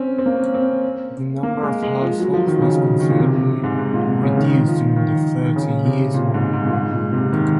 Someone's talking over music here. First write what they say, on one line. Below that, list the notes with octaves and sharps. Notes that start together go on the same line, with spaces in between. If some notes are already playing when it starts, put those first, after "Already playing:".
The number of households was considerably reduced during the Thirty Years' War.
Already playing: C4 C#4
C4
A#3
C4
A#3
G#3
G#3
F3
F#3
F3
D#3
C#3
C#3
D#3
A#2
C3
C3
G#2
G#2
A#2
C3
C#3
D#3
F3
D#3
D#3
C#3
C3
A#2
G#2
G#2
A#2
G#2
A#2
C3
D#3